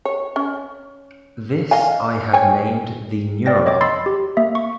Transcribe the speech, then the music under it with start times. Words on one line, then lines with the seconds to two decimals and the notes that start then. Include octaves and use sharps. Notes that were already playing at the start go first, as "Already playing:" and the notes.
This I have named the neuron.
0.05 C#5
0.36 C#4
1.71 D#5 F5 G#5
2.33 C#5 G5 G#5
3.46 D5 G5 A#6
3.66 C#5 D#5 G5 D6
3.81 B5 C6 E6 A6 C7
4.06 G4
4.37 A#3 E5
4.55 C#6